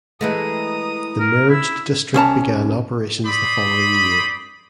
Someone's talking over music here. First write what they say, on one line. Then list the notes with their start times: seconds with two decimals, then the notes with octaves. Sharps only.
The merged district began operations the following year.
0.21 E3 G#3 A3 A#5 D#6
1.20 A#4
1.50 E4 E6
2.14 C2 C#4 A5 A#5
3.25 C5 D5 B5 C6 D#6